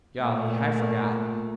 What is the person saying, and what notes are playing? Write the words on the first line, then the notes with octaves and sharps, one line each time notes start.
Golly, I forgot.
A#2 A3